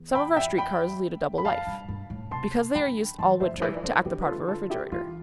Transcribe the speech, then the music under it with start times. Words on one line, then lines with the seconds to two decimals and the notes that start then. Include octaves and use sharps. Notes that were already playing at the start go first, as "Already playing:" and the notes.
Some of our street cars lead a double life, because they are used all winter to act the part of a refrigerator.
Already playing: E2
0.15 G5 B5
0.36 E5 G5
0.58 G5 B5
1.38 B5
1.45 F2 F5 A5
1.67 G2
1.89 G2
2.10 A2
2.31 C3 A5 C6
2.75 D3 G5 B5
3.19 E3 A5 C6
3.40 F3 C5 E5
3.57 D3
3.62 E3
3.74 D5
3.83 D3 A4 C5
4.05 D3 G4 B4
4.21 B4
4.26 F4 A4
4.48 F4 A4
4.70 E4 G4
4.92 E3 F4